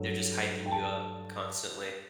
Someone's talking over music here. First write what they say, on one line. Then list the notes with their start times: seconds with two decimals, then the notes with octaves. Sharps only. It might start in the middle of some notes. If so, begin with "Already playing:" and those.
They're just hyping you up constantly.
Already playing: G2 F#3 A3
0.66 G5
0.72 A5